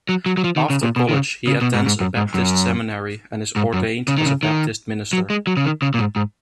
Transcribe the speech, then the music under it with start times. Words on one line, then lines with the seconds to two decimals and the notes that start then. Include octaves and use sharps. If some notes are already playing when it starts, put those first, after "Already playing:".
After college, he attends a Baptist seminary and is ordained as a Baptist minister.
0.09 F#3
0.26 F#3
0.37 F#3
0.44 F3
0.56 D#3
0.70 C#3
0.83 A#2
0.96 B2
1.09 D#3
1.13 C#3
1.47 C#3
1.61 B2
1.74 G#2
1.86 G#2
2.00 F#2
2.17 G#2
2.34 F#2
3.56 G#2
3.74 F#2
4.08 C#3
4.17 D#3
4.26 C#3
4.43 D#3
5.13 F#3
5.30 G#3
5.47 F#3
5.57 C#3
5.65 D#3
5.82 C#3
5.94 A#2
5.99 G#2
6.16 G#2